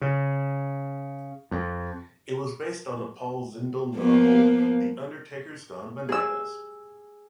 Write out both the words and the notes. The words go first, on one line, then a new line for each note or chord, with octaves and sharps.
It was based on the Paul Zindel novel "The Undertaker's Gone Bananas".
C#3
F2
F3 A#3 B3
G#4 E6